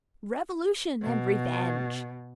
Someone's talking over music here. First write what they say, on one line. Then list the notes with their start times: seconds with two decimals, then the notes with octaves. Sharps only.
Revolution and Revenge!
1.02 B2